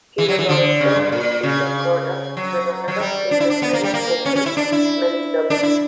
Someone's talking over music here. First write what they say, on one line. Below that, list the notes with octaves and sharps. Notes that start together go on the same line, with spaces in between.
He was also, with Petr Korda, the runner-up in the French Open men's doubles.
E3
F#3
E3
D3
C#3
G2
A#2
C#3
F#3
F#3
G3
D4
E4
D4
B3
A#3
G3
A#3
C#4
C#4
E4
D4
E4
D4
E4